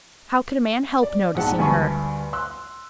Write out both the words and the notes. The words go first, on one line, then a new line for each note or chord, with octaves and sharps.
How could a man help noticing her?
D5
A#1 G#2 F#5 A5
D2 G2 G#5 A5 B5 C#6
C6 E6 F#6